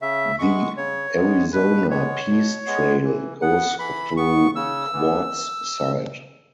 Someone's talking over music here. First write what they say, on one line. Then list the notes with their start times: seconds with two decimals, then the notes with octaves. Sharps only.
The Arizona Peace Trail goes through Quartzsite.
0.01 C#3 E5
0.39 G#3 B3 C#6
0.76 C#3 C#5
1.14 G#3 B3
1.53 B2 B4
1.90 G#3 B3 C#5
2.28 B2
2.67 G#3 B3
3.04 E3
3.42 B3 F#5
3.79 E3 B5
4.17 B3 C#6
4.56 C#3 E6
4.93 E3 B3